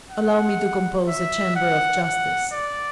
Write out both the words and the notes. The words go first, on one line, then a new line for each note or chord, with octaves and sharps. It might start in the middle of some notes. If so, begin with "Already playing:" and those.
"Allow me to compose a chamber of justice."
F#5
E5
F#5
F#5
D5